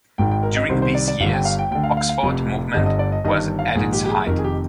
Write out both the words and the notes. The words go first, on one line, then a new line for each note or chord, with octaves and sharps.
During these years the "Oxford Movement" was at its height.
G#1 G#2 D#3 G5
G5
A#4
D#5
C2 C3 D#3 C5
C5
D5
D5
G1 G2 D3 F5
G5
F5
G5
D2 D3 G5
F5
F5
F5
F1 F2 C3
G1 G2 D3 D#5
D#5
D5
D#5
G1 G2 D#3 D#5
F5
A#1 G#2 D#3 G#4
G4
G4
G#4
F1 F2 D#3 A#4
G#4
G4